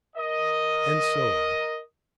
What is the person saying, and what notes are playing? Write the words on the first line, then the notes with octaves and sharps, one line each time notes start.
And so on.
A#4 D#5